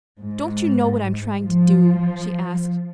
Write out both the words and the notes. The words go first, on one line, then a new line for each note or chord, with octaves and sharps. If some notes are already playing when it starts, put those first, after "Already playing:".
"Don't you know what I'm trying to do?" she asked.
G#2
F3